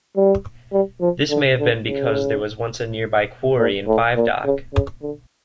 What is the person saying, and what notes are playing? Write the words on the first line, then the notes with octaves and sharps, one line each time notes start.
This may have been because there was once a nearby quarry in Five Dock.
G3
G3
F3
D3
D3
C#3
A#2
A2
A#2
C#3
C#3
D3